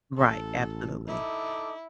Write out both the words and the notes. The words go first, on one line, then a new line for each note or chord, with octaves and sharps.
Right. Absolutely.
A1 A4
D#4 E4 A4 D6